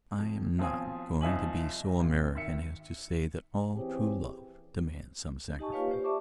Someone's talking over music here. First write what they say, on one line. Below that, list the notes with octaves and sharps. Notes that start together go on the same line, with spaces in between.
I am not going to be so American as to say that all true love demands some sacrifice.
F2
B1 F3 C4 G#5 D#6
C2 F3 D#4 E5 G#5 F#7
G#1
D#3 E5 C#7
E3 C4 C#4 G4 G#4
D#4 G4 D#5 G#5 A5 C#6
A#3 F4 G4 B4 C#5 F5
G4 C5
D5 E5 A5 C#6 D6